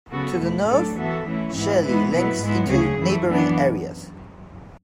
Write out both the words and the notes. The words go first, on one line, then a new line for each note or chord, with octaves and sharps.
To the north, Shirley links into neighbouring areas.
C#3 F#3 B3 F#4 A4
E2 B2 A3 E4
A2 F#3 A3 D4 A4
E3 B3 F#4 A4 E5
E3 A3 C#4 E4
G#2 E3 B3 E4
E3 G#3 B3 E4 B4
B2 F#3 B3 E4 B4
G#2 G#3 B3 E4
D2 C#3 F#3 C#4 G#4
F#2 E3 A3 E4
F#2 E3 B3 D4